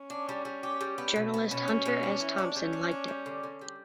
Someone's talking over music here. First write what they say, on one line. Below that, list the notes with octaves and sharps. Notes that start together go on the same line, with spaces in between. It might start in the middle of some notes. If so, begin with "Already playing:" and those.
Journalist Hunter S. Thompson liked it.
Already playing: C#4
D4
G3
G3
G4
G3
B3
B2
B3
B2 C#4
B2
B2
D4
E3
D4
G3 C#4
D4
D4
G3
D3
D3
G3